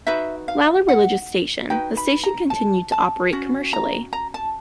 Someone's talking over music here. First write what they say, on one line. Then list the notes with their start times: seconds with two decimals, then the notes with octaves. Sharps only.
While a religious station, the station continued to operate commercially.
0.07 D#4 F#4 B4 E5
0.48 F5
0.89 F#5
1.70 D#4 F#4 B4 G5
1.97 B5
2.24 A#5
2.50 A5
2.92 A5
3.32 C#4 F#4
3.73 A#5
4.13 A#5
4.34 A5